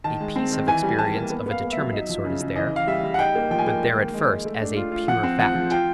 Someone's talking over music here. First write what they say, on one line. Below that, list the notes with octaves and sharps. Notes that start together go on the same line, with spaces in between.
A piece of experience of a determinate sort is there, but there at first as a 'pure' fact.
D#3 A5
G#3
C4
D#3
E3 G#5
G3
G3 A5
A#3
B3
B3 F5
B3
E5
F#3
D#4
F3
C#3
C#3
E3 D#5
E3 F5
G3 E5
G3
F#5
D#4 G5
A#3
F3 G5
G#5
A#3 G5
G#3
D#3
G#3
G#3
A3
D4
F4
F4
F3 F#5
C4
F3 F#5
F3
F4 G5